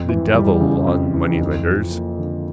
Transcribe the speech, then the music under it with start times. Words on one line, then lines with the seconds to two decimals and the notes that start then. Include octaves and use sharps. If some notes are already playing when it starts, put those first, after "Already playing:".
The devil on moneylenders.
Already playing: F2
0.09 E3
0.34 G3
0.61 C#3
0.87 F2
1.14 E3
1.39 F2
1.65 F3
1.92 A#3
2.17 D3